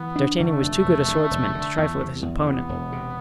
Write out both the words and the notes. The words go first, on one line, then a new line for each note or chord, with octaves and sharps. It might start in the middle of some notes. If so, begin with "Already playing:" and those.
D'Artagnan was too good a swordsman to trifle with his opponent.
Already playing: E3 B3
D4
D3 A3
F1
F1
D3
F1
D3
E2
C3
E2
C3 B3
E1
C3